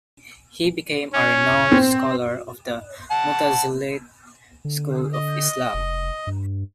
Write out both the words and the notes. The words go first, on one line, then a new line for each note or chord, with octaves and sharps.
He became a renowned scholar of the Mutazilite school of Islam.
C#4
C4
F#5 A5
D3
D#5
F1
G2